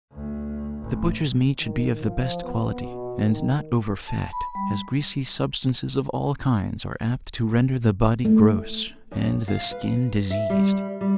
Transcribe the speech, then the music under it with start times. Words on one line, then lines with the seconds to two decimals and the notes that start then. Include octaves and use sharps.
The butchers' meat should be of the best quality, and not over-fat, as greasy substances of all kinds are apt to render the body gross and the skin diseased.
0.13 D2
0.82 A1
1.60 D#3
2.00 F3
2.41 B3
2.81 B2
3.23 D#3
4.07 A5
4.33 B5
4.55 G3
8.25 A3
9.11 F#2
9.48 F5
9.71 B4
10.30 E5
10.50 G3
11.01 G3